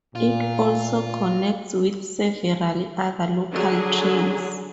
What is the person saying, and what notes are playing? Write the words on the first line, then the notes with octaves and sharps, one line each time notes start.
It also connects with several other local trails.
A#2 F4
D3 F#3 G#4